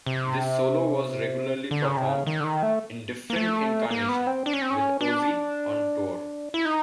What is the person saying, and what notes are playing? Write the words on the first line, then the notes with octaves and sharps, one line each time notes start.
This solo was regularly performed, in different incarnations, with Ozzy on tour.
C3
D3
C#3
C3
C#3
D#3
D3
D#3
A3
A#3
A3
A#3
B3
C4
D4
C#4
C4
C#4
D4
E4
D#4